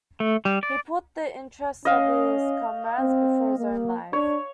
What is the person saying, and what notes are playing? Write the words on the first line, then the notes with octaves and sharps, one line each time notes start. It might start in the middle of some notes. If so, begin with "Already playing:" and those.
He put the interests of his comrades before his own life.
A3
G3
D5
C#4 D#5 F5
C4
A#3
D4 C#5